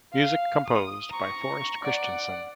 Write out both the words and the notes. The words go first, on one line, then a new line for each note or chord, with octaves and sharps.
Music composed by Forest Christenson.
F5
D#6
A#5 C#6
D5 F#5